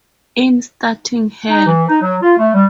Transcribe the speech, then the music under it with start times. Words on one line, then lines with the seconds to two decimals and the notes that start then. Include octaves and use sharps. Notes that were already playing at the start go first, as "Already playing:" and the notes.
In starting Help!
1.49 D#4
1.66 E3
1.89 D#4
2.02 F#3
2.22 F4
2.38 A3
2.54 G3